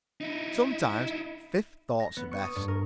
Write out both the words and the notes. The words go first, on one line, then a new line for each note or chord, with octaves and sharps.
Sometimes fifth thoughts are best.
D#4 E4
A#6
B3
C#6
D#6
G2
A#4